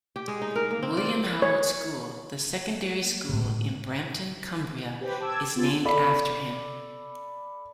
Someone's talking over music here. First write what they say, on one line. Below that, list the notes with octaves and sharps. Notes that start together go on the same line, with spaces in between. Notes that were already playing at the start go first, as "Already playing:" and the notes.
William Howard School, the secondary school in Brampton, Cumbria, is named after him.
G4
G#3
D#4
A#4
A#3
C4
D5
C#5
A#3
A2 D3 G#3
G4 B4 C5 G5
A5 D6 E6 G#6
B3 F4 G4 C6 A6
A4 D5 B5